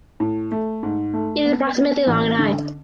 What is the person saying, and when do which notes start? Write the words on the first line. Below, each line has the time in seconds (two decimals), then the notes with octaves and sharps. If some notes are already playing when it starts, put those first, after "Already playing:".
It is approximately long and high.
0.20 A2
0.52 A3
0.83 G#2
1.13 A3
1.45 B3
1.76 B3
2.07 A1
2.39 D3